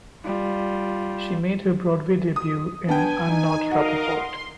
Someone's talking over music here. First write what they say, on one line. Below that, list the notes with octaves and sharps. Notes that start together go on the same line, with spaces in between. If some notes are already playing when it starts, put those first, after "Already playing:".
She made her Broadway debut in "I'm Not Rappaport".
G3 F4
D#6
B3 D4 G5 G#5
D#4
F#4 A#4 D#5 F5
C6